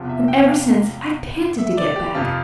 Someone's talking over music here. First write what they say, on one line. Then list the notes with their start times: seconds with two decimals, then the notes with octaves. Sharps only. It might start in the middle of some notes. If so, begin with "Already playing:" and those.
And ever since, I've panted to get back.
Already playing: E2 C3 F3
0.09 E5
0.28 G5
0.46 F5
1.58 E5
1.77 D5
1.96 G4
2.14 F2 C3 F3 F4